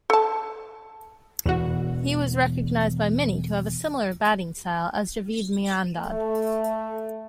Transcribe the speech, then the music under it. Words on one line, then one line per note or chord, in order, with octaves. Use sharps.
He was recognized by many to have a similar batting style as Javed Miandad.
A4 A5
E1 E2 E3 F#4
A3